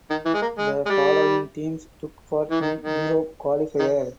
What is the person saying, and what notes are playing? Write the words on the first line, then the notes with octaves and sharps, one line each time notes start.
The following teams took part in Europe qualifier.
D#3
E3
G#3
A#3
G#3
G#3
G3
E3
D#3
D#3
D#3